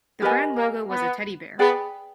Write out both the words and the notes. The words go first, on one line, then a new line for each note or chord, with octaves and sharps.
The brand logo was a teddy bear.
B3 G4 A#4 D#5 G#5
A#3
B3
B3 G#4 B4 D5 G5